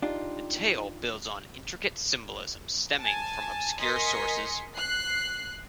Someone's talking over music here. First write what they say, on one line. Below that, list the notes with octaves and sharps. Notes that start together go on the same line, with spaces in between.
The tale builds on intricate symbolism stemming from obscure sources.
D4 D#4 F4 G4
G#5 A5
A#4 D#5 G#5 C6 B6 C#7
F#6 C7